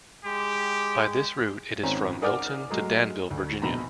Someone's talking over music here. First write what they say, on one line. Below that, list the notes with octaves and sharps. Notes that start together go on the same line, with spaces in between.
By this route it is from Milton to Danville, Virginia.
G#3 G4
G#1 C4 C#4 C#5 A#5
G#4 A#4 D5 F#5 D6 F6
F#3 G#3 A3
D2
A#1 B2 A#5 B5